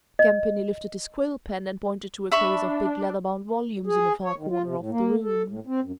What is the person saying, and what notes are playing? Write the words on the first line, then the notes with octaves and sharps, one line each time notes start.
Campany lifted his quill pen and pointed to a case of big leather-bound volumes in a far corner of the room.
D#5
D4 E5 B5 C#6
G#4
C#5
D#3
F4
C3
A2
A#3
A4
A2
C4
F#2